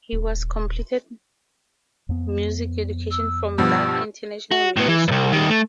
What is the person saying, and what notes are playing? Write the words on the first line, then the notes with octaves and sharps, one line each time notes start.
He was completed music education from Dhaka International Music School.
D#1
F2 B3
E6
G2 B2 F3 E6
F#4
A2 B3
E3
C2 G2
D#3 G3
A3